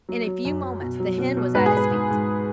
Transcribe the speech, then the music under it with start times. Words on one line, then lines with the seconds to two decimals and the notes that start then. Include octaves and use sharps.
In a few moments the hen was at his feet.
0.09 F#3
0.26 F#3
0.45 F#2
0.63 F#3
0.82 B2
1.00 F#3
1.18 B2
1.37 B2
1.55 G#2 B4
1.66 G#4
1.73 G#2 B4
1.91 G#2
2.10 G#2